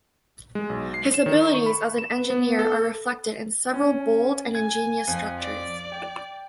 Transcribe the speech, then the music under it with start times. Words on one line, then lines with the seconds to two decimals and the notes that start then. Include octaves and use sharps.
His abilities as an engineer are reflected in several bold and ingenious structures.
0.55 G#3
0.70 B1
0.94 C7
1.14 E7
1.26 D#3
1.54 C#6
1.66 B5
1.98 E7
2.18 B4
2.30 B3
2.59 A4
3.73 C#4
4.55 G#5 G#6
5.07 F2
5.40 D5
5.92 G5